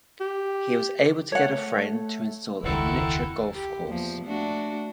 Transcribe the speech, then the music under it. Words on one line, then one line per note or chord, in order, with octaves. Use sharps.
He was able to get a friend to install a miniature golf course.
G4
A3 C#5 F#5
E1 C#2 D#3 C4 E4 F#4 A4
G4
E2 F3 A#3
A3 D4 F#4